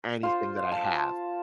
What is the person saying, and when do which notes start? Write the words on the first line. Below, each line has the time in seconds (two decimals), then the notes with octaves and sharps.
anything that I have.
0.23 F4 C5
0.72 A5